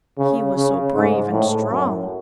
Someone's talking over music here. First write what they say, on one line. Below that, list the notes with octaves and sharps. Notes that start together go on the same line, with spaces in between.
He was so brave and strong!
C#3
C#3
G#2
A2
F#2